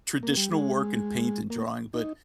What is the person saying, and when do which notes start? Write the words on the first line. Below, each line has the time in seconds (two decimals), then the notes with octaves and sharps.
traditional work and paint and drawing, but
0.23 A#3
0.37 G3
0.52 G#3
1.50 A#3
1.94 D#4